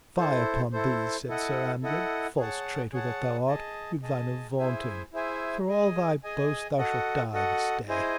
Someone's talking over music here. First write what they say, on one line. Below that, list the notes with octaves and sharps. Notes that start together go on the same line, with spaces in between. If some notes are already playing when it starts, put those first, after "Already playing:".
Fie upon thee, said Sir Andred, false traitor that thou art, with thine avaunting; for all thy boast thou shalt die this day.
E4 A4 C5
E4 A4 C5
E4 A4 D#5 F#5
E4 A4 D#5 F#5
G#4 C#5 F#5 A5
G#4 C#5 F#5 A5
G#4 D#5 A5
G#4 D#5 A5
E4 G#4 C5 E5 G#5
E4 G#4 C5 E5 G#5
G#4 D#5 G#5
G#4 D#5 G#5
F#4 A4 D#5 F#5
F#4 A4 D#5 F#5
E4 G#4 C5 D#5 G#5